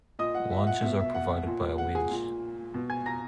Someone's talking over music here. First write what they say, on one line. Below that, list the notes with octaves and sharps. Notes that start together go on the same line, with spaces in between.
Launches are provided by a winch.
A#2 D#5 D#6
F#5
E5
F#5
B2 E5
E5
F#5
A#2
F#5
G#4 G#5
A#2
B2
G#5 G#6
A#5 A#6